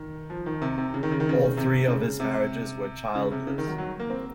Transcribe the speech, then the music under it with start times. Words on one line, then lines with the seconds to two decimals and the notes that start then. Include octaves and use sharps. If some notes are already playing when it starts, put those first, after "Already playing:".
All three of his marriages were childless.
Already playing: D#3
0.30 F3
0.46 D#3
0.62 C3
0.78 C3
0.94 C#3
1.03 D#3
1.12 C#3
1.20 D#3
1.29 C#3
1.57 C3
1.88 C#3
2.20 C3
3.15 C#3
3.32 C3
3.47 C#3
3.58 D#3
3.68 F#3
3.78 F#3
4.00 A#3
4.10 C4